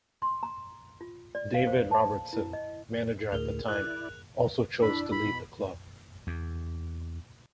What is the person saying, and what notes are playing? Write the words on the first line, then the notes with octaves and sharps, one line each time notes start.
David Robertson, manager at the time, also chose to leave the club.
C6
A#5
F4
D5
F5
C5
A5
E4
D#5
D2 A2 G#4 A#4 F7
E4 D5 F#6
D4 E4 B5
B5
B2
E2